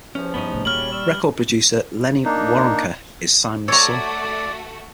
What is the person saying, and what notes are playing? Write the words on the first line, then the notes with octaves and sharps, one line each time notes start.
Record producer Lenny Waronker is Simon's son.
E2 C3 F3 C#4
G2 E3 B3 C#4 D#4
F1 A2
D#1 F#2 C#3 G3 C#5 F6 F#7
D5 C#6 E6
A#3 D4 D#4
A3 F#4 C#5 D5 A#5 C#6 E6